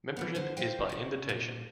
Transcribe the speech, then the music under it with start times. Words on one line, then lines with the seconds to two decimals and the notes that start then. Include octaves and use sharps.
Membership is by invitation.
0.17 E3 F3 B3
0.35 D3 B4 C5
0.57 C5 F5 G5
0.89 C#3 F#4
1.29 A#2